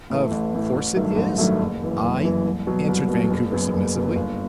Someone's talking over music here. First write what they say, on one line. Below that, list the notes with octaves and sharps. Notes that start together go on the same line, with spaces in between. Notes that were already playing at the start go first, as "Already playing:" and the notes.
"Of course it is I," answered Vancouver, submissively.
A2 E3 A3
A1
A2 E3 A3
A1
G2 D#3 F#3 A3
A1
G2 D#3 F#3 A3
F#1
F#2 E3
F#1
F#2 E3
C2
B2 F#3
C2
B2 F#3
F#1
F#2 F#3 B3
F#1
F#2 F#3 B3
G1